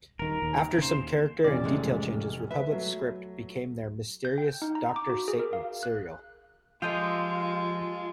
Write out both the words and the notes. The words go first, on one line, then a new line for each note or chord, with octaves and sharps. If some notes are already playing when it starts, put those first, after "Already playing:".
After some character and detail changes, Republic's script became their "Mysterious Doctor Satan" serial.
D#1 D#3 A#4
D#2
C#3 C5
F1 E3 C#4 D5
G#2 G#3 A3
B4 E5
F#3 A3
G6
G5
D#4
A#5
D6
F#4
G#4
A#4
F5
F#6
F3 G#3 F4 G4 A4 D#5